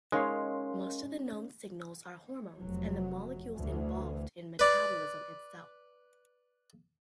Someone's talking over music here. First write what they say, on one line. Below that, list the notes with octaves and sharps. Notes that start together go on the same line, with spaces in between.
Most of the known signals are hormones and the molecules involved in metabolism itself.
G#3 C#4 D#4 A#4 C#5 F5 C6
F1 F#3
D2 E3
B4 D5